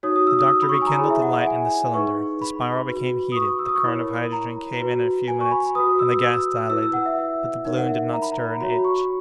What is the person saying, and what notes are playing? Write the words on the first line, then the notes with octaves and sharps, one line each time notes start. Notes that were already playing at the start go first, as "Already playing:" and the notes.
The doctor rekindled the light in the cylinder; the spiral became heated; the current of hydrogen came in a few minutes, and the gas dilated; but the balloon did not stir an inch.
D#4 F#4 C#5 D#6
D#6
E6
D#6
B5
C#6
B5
G#5
A#5
E4 G#4 C#5
E5
F#5
F#5
G#5
D#4 G#4 B4 C#6
B5
F#4 B4
D#6
C#6
E6
D#6
C#6
E4 A#4 C#5 B5
A#5
F#4 B4
G#5
C#6
B5
F#4 B4 D#6
E6
E6
E4 B4 E6
E6
F#5
E5
D#4 A#4 C#5
F#5
E5
A#5
B5
A#5
F#4 C#5 B5
C#6